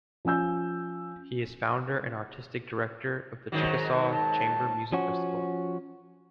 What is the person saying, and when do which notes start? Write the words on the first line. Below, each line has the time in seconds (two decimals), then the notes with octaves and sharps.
He is founder and artistic director of the Chickasaw Chamber Music Festival.
0.25 F3 C#4 G#5 E6 G6
3.52 G#2 D#3 F#3
4.13 A5
4.92 F3 C#4 F#4